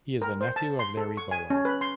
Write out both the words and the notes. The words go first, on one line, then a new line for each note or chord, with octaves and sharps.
He is the nephew of Larry Bowa.
A#4
C5
A5
C6
A4
C#6
G#5
C#4
B4
C6